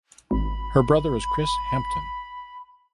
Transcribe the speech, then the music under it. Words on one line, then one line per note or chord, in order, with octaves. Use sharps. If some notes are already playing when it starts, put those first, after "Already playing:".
Her Brother is Chris Hampton.
G#1 B5